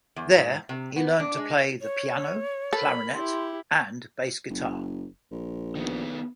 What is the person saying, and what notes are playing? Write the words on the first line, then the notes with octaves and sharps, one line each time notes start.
There he learnt to play the piano, clarinet and bass guitar.
E2
G#2
C3
B3
D4
G#3
C#5
A4 A#4 B5
E4 G4 C6
F#1
A#1
D#3 B3